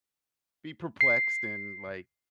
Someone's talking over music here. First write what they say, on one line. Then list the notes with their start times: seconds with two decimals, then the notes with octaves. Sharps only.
be perplexed and, like,
1.01 C7